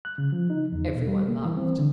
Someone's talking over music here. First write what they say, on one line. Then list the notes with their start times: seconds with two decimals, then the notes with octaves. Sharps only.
Everyone laughed.
0.05 F#6
0.18 C#3
0.32 F3
0.50 D#4
0.72 E2
0.95 B2
1.07 G3
1.28 A#3
1.45 E3
1.57 C4
1.79 D3